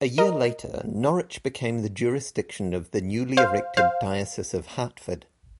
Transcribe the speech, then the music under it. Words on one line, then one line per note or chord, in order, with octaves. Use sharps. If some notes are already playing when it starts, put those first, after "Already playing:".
A year later, Norwich became the jurisdiction of the newly erected Diocese of Hartford.
A#4 D#5
C5 F5
C5 F5